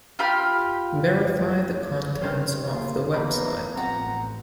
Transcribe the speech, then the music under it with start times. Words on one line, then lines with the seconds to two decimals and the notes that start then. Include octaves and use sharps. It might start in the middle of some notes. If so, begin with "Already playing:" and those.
Verify the contents of the website.
0.19 F4 G4 B5 F6
2.22 G2 C3 D#3 C#4 C5 F6
2.68 A#3 F4 G#4
3.14 E2 E3 A#3 B3 A5 B5
3.75 A1 F3 C4 F#5 A#5